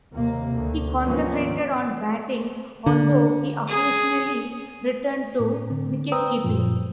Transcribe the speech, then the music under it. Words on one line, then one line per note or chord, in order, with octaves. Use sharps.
He concentrated on batting although he occasionally returned to wicketkeeping.
D#2 C3 A#3
D2 D3
G#2 D#3 F3 A#3 B3 C#4
D3
G#4
A2
D3 C4
B4 C5 G5 A#5 D#6 E6
F#2 A#2 F3